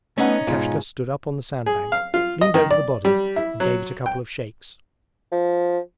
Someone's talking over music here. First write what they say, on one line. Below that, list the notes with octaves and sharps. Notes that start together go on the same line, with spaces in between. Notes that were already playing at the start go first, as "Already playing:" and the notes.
Lukashka stood up on the sandbank, leaned over the body, and gave it a couple of shakes.
A3 B3 C#4 D#4 F#5
G#2 B2 F4
G#4
F5
F4
D#5
D#3
D5
G3
E4
F#3
G5
F3